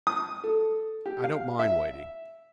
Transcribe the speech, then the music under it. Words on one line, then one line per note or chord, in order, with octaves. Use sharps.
I don't mind waiting.
D#6
A4
G4
F5
E5